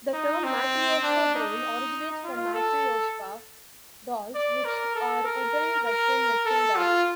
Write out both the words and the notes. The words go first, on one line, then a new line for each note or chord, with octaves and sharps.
The term "matrioshka brain" originates from matryoshka dolls, which are wooden Russian nesting dolls.
D#4
C4
D4
D#4
F4
A4
D5
A#4
A4
A#4
A#4
A4
F4